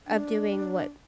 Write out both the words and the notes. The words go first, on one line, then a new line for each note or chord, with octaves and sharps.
of doing what
D4